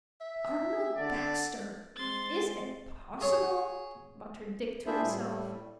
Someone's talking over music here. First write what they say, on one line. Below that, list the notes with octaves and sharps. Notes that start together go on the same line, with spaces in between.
"Arnold Baxter! is it possible!" muttered Dick to himself.
E5
D3 D5
G#3 C4 C6 A6
G#4 C#5 C#6
D4 E4 F4 G#4 C5 E5
A2 G3